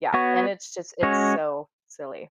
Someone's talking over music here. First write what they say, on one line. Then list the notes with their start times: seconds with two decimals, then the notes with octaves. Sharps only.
Yeah, and it's just it's so silly.
0.14 B3 F#4 C#5
1.03 G#3 C#4 F#4 C#5